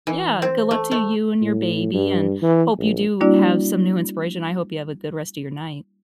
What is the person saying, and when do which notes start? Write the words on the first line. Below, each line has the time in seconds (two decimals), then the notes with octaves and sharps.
yeah, good luck to you and your baby, and hope you do have some new inspiration, I hope you have a good rest of your night
0.07 E3
0.42 C4
0.71 A3
0.91 A3
1.42 A2
1.94 G2
2.42 E3
2.78 A#1
3.21 G3 A#3 D4 E4 F#4 D5